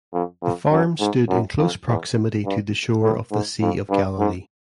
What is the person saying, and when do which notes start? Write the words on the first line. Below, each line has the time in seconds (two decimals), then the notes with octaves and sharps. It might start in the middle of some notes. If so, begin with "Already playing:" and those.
The farm stood in close proximity to the shore of the Sea of Galilee.
0.13 F2
0.42 F2
0.71 F#2
1.00 G#2
1.28 F#2
1.58 F2
1.87 E2
2.45 G2
3.02 A2
3.31 G#2
3.61 F2
3.90 G2
4.19 G#2